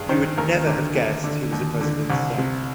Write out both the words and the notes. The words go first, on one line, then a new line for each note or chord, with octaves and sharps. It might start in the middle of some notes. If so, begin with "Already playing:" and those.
You would never have guessed he was a president's son.
Already playing: G2 G#4
D#3 C5
D#2 A#4
D3
D#2
D3
D#2
D3
C2
C3